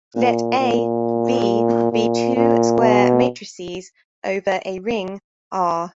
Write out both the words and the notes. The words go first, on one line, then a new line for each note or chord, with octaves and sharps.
Let "A", "B" be two square matrices over a ring "R".
A#2
A#2
A#2
A#2
B2